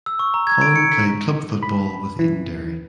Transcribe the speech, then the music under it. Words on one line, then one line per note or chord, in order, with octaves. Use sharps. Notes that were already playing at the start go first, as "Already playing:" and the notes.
Cullen played club football with Edenderry.
E6
C#6
A#5
G#6
D7
C#7
B6
B5
E3